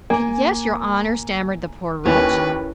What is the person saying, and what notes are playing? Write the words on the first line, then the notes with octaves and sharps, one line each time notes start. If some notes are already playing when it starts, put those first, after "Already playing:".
"Yes, your Honour," stammered the poor wretch.
A#3 G#5
D#2 C#4 E4 A#4 B4